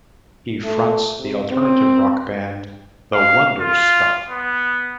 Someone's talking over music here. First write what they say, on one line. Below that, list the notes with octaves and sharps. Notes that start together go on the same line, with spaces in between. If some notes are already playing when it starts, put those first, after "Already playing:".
He fronts the alternative rock band The Wonder Stuff.
A3
C3
C4
F5
F4
B3